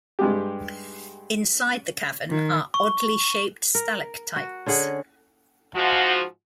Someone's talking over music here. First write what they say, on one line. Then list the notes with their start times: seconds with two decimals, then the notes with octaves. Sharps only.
Inside the cavern are oddly-shaped stalactites.
0.19 G2 G#3 G4
2.31 D#3
2.74 C#6
3.75 A#4
4.36 F#4
4.66 D3 C#4 G#4 F#5
5.75 G#2 F3 F#4